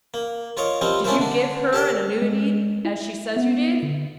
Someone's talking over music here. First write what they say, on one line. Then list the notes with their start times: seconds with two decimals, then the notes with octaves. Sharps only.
"Did you give her an annuity, as she says you did?"
0.14 A#3
0.57 F4 A#4 C#5 D#5 F5
0.81 F3 G3 C4 D#5 F5
1.04 C#4 D4 E4 F4 A#4 C5
1.19 D3 D4
1.73 G4 A4 A#4 G5
2.22 G#3
2.85 E4
3.37 B3
3.83 D3